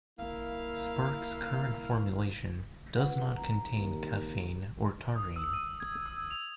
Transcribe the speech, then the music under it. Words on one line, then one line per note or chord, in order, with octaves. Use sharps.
Sparks' current formulation does not contain caffeine or taurine.
A#3 E4 F5
C#2 G#4 B4 F#5
F1 A#5
D#2
D#6
E6
D#7
G#6
E6
F7